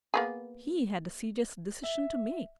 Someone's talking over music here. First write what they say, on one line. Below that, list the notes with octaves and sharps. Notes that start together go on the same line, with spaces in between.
He had a serious decision to make.
A#3 B3 G#4
E5